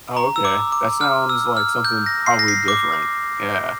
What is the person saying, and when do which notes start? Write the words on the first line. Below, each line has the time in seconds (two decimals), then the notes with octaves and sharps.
Oh, okay. That sounds like something probably different. Yeah.
0.17 A#5
0.36 E6
0.45 D6
0.72 D6
1.01 F6
1.29 E6
1.57 F6
1.85 G6
2.06 A#6
2.26 C7
2.39 A#6
2.48 C7
2.68 D6